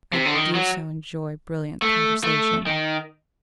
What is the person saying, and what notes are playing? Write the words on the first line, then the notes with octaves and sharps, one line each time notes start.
"I do so enjoy brilliant conversation."
C3
D3
D#3
F#3
A3
A3
D#3